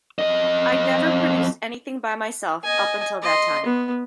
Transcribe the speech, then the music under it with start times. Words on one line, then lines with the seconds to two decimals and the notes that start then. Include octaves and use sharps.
I'd never produced anything by myself up until that time.
0.19 F2 D#5
2.64 D#5 G#5
3.22 D#5 C6
3.66 B3